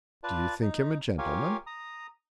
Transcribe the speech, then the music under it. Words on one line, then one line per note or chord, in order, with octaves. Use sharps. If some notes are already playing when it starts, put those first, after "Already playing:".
"Do you think him a gentleman?"
F4 B4 D5 A5
D#4
F4 G4 A#4 C#5 F5 G#5
A#5 D#6